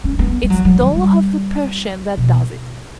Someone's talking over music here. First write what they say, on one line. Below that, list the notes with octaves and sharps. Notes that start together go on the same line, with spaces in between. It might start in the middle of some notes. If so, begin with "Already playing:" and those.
It's 'Dolokhov the Persian' that does it!
C#4
B3
G3
F#3
F#3
E3
G3
B2